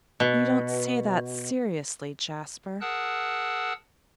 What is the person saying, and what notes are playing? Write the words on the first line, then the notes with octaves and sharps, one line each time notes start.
'You don't say that seriously, Jasper?'
B2
G#4 A#4 F#5 A5 E6 F#6